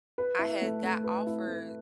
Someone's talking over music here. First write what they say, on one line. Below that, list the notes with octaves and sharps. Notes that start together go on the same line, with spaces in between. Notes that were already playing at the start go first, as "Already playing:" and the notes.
I had got offered
B4
E4
A3
A3
B4
E4
A3